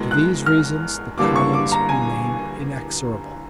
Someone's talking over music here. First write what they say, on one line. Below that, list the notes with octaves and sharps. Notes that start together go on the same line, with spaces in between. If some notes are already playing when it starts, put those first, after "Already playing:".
To these reasons the commons remained inexorable.
Already playing: F#1 E2 B2 G#3
F#6
F6
A1 G2 D3 G3 A#3 D6
C#6
D6
A#5
G#5